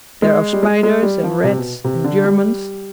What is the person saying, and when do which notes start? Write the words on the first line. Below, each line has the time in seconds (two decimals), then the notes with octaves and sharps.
There are spiders, and rats, and Germans.
0.22 G#3
0.53 G3
0.63 G#3
0.83 G#3
1.03 G3
1.23 F3
1.44 C3
1.57 B2
1.84 C3
2.04 D3
2.24 G3